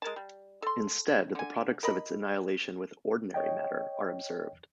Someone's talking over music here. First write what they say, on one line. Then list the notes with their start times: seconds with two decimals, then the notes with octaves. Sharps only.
Instead, the products of its annihilation with ordinary matter are observed.
0.02 G#3 A#4 A5
0.16 G3
0.62 A4 C6
1.35 D3 G#5
1.83 A#4 D#5 B5
3.34 C#5 D#5 G5